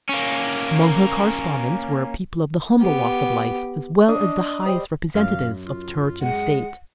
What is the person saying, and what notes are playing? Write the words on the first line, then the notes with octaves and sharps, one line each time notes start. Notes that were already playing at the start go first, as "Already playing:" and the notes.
Among her correspondents were people of the humble walks of life as well as the highest representatives of Church and State.
A#3 C#4
B3 G4
D4 D#5
G3 C5 D#6
F#2 F5
F4
G#3 G#4 F#5